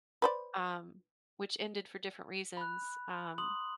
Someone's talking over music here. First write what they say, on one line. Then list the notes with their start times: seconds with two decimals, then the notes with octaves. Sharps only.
um- which ended for different reasons- um
0.22 B4 C5 D5
2.57 B5 F#6
3.38 C6 D#6 F#7